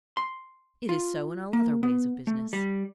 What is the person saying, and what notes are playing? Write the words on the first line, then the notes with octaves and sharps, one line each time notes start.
It is so in all other ways of business.
C6
F4
A#3
B3
A3
G3